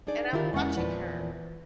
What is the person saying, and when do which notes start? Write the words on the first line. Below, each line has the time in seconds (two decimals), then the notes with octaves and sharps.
And I'm watching her
0.07 D4 D#4 G#4 D5
0.33 D#3 E4 F4 G4 G#4 A#4
0.53 E2 G#3 A#3 B3 C#4 F#5
0.77 E2 A#2 E3 F3 B4 D5